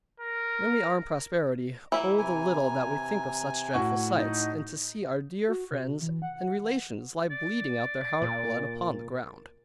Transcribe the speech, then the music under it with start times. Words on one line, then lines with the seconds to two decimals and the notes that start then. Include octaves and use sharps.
When we are in prosperity, Oh the little that we think of such dreadful sights, and to see our dear friends, and relations lie bleeding out their heart-blood upon the ground.
0.20 A#4
1.92 E3 E4 A#5
2.19 C3 G#5
3.74 A2 F#4 C#6
4.15 D#4
5.48 F#4
5.71 C3
6.01 E3
6.22 F#5
7.31 D5
8.22 A#2